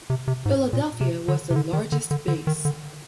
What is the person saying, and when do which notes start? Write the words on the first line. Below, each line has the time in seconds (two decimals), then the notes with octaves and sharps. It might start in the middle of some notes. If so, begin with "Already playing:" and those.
Philadelphia was the largest base.
0.10 C3
0.28 C3
0.45 G#2
0.73 A#2
1.01 C3
1.28 D3
1.50 C3
1.56 D3
1.73 D#3
1.92 D3
2.11 D3
2.28 D3
2.47 D#3
2.65 D3